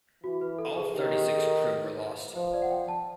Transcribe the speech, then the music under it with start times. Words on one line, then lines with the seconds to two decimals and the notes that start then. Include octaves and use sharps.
All thirty-six crew were lost.
0.24 E3 F#4
0.41 B4
0.59 A4
0.77 G#4
0.94 D#3 G4
1.12 G4
1.29 G#4
1.38 A4
1.47 A#4
1.65 B4
2.35 F3 C5
2.53 D5
2.62 F#5
2.71 G5
2.88 A5